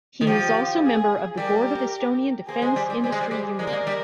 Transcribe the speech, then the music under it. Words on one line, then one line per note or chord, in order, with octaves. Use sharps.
He is also member of the Board of Estonian Defense Industry Union.
D#3
F3 G4
G#4
G3 G4 A#4
A#3 G#4 C5
G#3
G3
G3
G3 G#4 C5
G#3
G3
G3
G#3 A#4 D5
A#3
G#3
G3